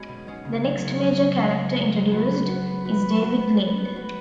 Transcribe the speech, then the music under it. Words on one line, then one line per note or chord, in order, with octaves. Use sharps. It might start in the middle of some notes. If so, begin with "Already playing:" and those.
The next major character introduced is David Lind.
Already playing: G#3 B3 C#4 F#4 G#4
B2
G#3 C#4 G#4
C#3
F#3 C#4 G#4
C#3
F#3 C#4 G#4
G#3
C#4 G#4
G#3
C#4 G#4
F#3
B3 F#4 B4
F#3
B3 F#4 B4
B3
F#4 B4
B3
F#4 B4
B3
F#4 B4
B3
F#4 B4